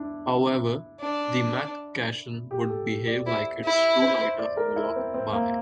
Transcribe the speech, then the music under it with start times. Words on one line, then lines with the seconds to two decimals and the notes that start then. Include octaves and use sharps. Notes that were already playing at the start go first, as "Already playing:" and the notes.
However, the Mc cation would behave like its true lighter homolog Bi.
Already playing: D4 E4
0.26 E4
1.00 D4
2.51 G4
2.69 A4
2.89 G4
3.07 D5
3.26 E4 C5
3.64 E4
4.02 C5
4.21 C5
4.39 D5
4.57 A#4
4.76 E4
4.96 C4
5.14 C4
5.33 A#3